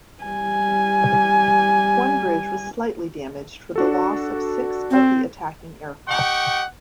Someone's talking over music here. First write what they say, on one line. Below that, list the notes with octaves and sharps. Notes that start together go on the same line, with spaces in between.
One bridge was slightly damaged for the loss of six of the attacking aircraft.
G3 G#5
D4 F#4 A4
C4
G4 D#5 F#5 G5 C#6